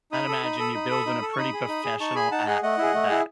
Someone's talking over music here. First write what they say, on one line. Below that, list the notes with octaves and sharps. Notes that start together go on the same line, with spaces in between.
I'd imagine you're building a pretty professional app for that.
D#4 B5 D#6
A4
D#4
A4
D#4
A4
D#4
A4
C#6
D#4 B5 D#6
G#4
D#4
G#4
D#4 A5 C#6
G#4 G#5 B5
D#4 F#5 A5
G#4 D#5 F#5
A3 D#5 F#5
E4 G#4
A3
E4 G#4